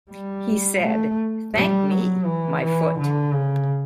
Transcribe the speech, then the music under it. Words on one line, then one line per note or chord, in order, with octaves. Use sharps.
He said, 'Thank me, my foot.
G3
A3
G3
F#3
E3
E3
D3
C#3